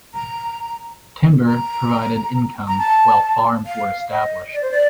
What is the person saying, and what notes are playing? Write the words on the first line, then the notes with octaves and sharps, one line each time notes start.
Timber provided income while farms were established.
A#5
A#5
A#5
A5
F5
D#5
D5
C5
D5